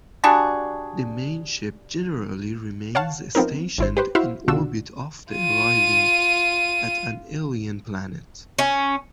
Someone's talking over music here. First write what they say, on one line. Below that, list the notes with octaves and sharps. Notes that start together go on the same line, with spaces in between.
The main ship generally remains stationed in orbit after arriving at an alien planet.
G3 D4 F#4 G#4
C#5 F5 F#5 A5
F3 B3 C4 D#4 A#4
G#1 E4 C5
G4 B4 C5
E4 F#4 C5 E5 F5
B1 D3 D4 F4 F#4 E6
F4 D#7
C#4